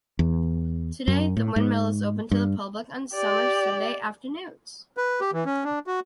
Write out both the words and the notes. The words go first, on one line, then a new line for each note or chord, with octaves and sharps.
Today the windmill is open to the public on Summer Sunday afternoons.
E2
F#2
A2
G#2
G2
G4 D5
B4
G4
E3
C#4
D4
F#4